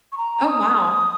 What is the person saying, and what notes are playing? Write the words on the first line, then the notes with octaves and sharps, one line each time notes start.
Oh, wow.
C#6
A#5
D#6